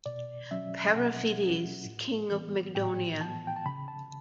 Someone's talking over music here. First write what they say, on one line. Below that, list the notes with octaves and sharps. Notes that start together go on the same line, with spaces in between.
Periphetes, king of Mygdonia.
B2 D5
F#3 C#4 E5
B2 F#5
F#3 C#4
A2
E3 B3
A2 G5
E3 B3 A5
G5
A5
C#3 B5
A5